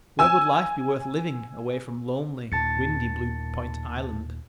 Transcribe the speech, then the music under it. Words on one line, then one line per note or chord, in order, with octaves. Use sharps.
Where would life be worth living away from lonely, windy Blue Point Island?
G#5 E6
D#2 A#2 A5 A6 C#7